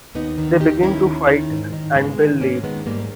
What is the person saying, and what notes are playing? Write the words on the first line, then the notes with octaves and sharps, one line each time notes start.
They begin to fight and Bill leaves.
D#2 B3 D#4
D#3
D#2 D#4 G4
D#3 C#4 E4
D#2
D#3
G#2
D#3
G#2 G#3 B3
D#3
G#2 A#3 C#4
D#3 G#3 B3
G#2 G3 A#3